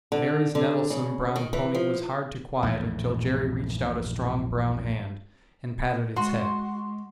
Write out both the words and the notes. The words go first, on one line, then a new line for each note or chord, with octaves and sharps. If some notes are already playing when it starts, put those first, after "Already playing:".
Mary's nettlesome brown pony was hard to quiet until Jerry reached out a strong brown hand and patted its head.
D3
D3
C#3
D#3
E3
F3
A#1 E2 G2 A3
G#3 F#4 C6